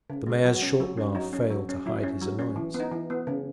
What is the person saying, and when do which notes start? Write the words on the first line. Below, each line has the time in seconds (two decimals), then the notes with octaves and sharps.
The mayor's short laugh failed to hide his annoyance.
0.10 C#3
0.26 G#3 B3
0.45 F#3 F#4
0.62 C#4
0.80 F#3
0.97 C#4
1.15 F#3 D#4
1.33 C#4
1.50 F#3
1.69 C#4
1.86 F#3 E4
2.03 C#4
2.21 F#3
2.39 C#4
2.56 E3
2.74 B3
2.80 D#4
2.92 E3
3.10 B3
3.27 C#3